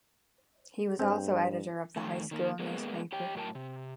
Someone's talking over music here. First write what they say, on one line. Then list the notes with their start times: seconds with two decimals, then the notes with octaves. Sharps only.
He was also editor of the high school newspaper.
0.99 G2 C4
1.96 F2 G#2 D#3 A3
2.31 D#3 A#3
2.59 G#3 A#3 B3
3.12 G4 C#5 G5
3.35 A2 F#3 A#4 G5 A5
3.55 C3